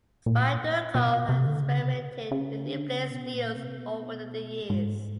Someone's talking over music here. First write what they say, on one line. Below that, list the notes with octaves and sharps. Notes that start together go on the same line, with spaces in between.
Spyderco has experimented with new blade steels over the years.
A#2
B2
C3
D3
C#3
C3
C#3
D3
C#3
B2
A#2
C3
B2
G#2